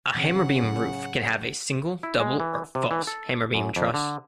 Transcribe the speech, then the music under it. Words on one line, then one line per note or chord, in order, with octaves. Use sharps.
A hammerbeam roof can have a single, double or false hammerbeam truss.
A#2 C#3 E3 C4 F#5
A2 F#3 C#4
E4
G#3
E3
C3
E3
A4
F#2
F2
D3